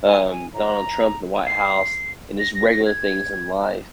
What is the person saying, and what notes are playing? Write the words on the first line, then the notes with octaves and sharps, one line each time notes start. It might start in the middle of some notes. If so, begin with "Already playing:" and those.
um, Donald Trump in the White House and his regular things in life,
G#5
G#5
A#5
C7
A#6
A#6
A#6
G#6